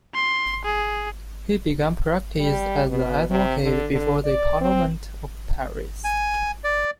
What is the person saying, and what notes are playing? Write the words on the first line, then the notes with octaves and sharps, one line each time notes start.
He began practice as an advocate before the "parlement" of Paris.
C6
G#4
G3
B2
C3
D3
D3
D5
C4
G#5
D5